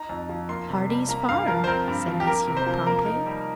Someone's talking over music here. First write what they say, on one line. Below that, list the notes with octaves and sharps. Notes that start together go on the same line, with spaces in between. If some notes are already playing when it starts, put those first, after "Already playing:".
"Heartsease Farm," said Mrs. Hewitt promptly.
Already playing: D#4 A#5
F2
F3
A#3 C6
C3
G3
A#3 A#5
G2 F5
F3 A#4
C5
C4 A#4
G2
F3
G4
A#3 A#4
C3
C5
F3
A#3 A#4
D#4
G3